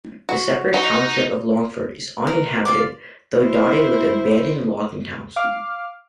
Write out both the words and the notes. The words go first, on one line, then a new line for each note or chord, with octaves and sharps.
The separate township of Longford is uninhabited, though dotted with abandoned logging towns.
F#4
D#4 F#4
A#4 B4
F4 D5 D6
E4 C5
F5 D6 F6